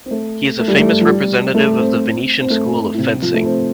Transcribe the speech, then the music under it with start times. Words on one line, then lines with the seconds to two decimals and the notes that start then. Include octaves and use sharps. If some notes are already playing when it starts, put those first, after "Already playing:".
He is a famous representative of the Venetian school of fencing.
0.06 C4
0.11 A3
0.59 A3
0.68 G3
0.78 A3
1.01 F3
1.07 G3
1.54 A3
1.78 C4
2.41 C4
2.50 A3
2.94 A2
2.98 C3
3.22 F3
3.34 A3
3.46 C4